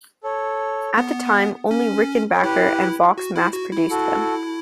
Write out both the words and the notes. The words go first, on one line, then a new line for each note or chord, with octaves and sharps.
At the time, only Rickenbacker and Vox mass-produced them.
A4 C#5
B3
C#4
C#5
E4 G4 B4
F#4
E4
F#4
E4
F#4 A4